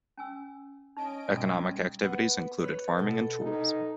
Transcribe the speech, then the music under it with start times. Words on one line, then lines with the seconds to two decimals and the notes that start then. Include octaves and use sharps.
Economic activities included farming and tourism.
0.18 C#4 G#5 E6
0.97 C#4 D#4 D#5 D7
1.28 B1 G3 G5
2.02 B3
2.60 B4 C#5
2.99 B2 A4
3.41 D#4